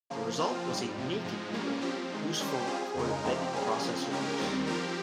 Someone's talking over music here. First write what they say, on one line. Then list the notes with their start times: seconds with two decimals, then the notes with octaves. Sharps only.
The result was a "naked" core, useful for embedded processor use.
0.10 C#3 F3 A#3
0.39 F3 C4 F4
0.67 G#2 G3 C4
0.96 F2 C3 F3
1.25 G#2 F3 G#3
1.52 A#2 G3 A#3 C#4
1.81 F3 C4 G4
2.10 C3 D#3 G#3
2.38 D#3 G3 C#4 G4 C5
2.67 G3 C4 F4 G#4
2.95 F2 C#3 G#3 D#4 A#4
3.24 F2 C3 F3 C4 G4
3.53 G3 A#3 C#4 G#4
3.81 C#3 F3 C4
4.10 C#3 G#3 C#4 G4 A#4
4.38 D#2 D#3 G3 C4 F4
4.67 F3 C4 G4 A#4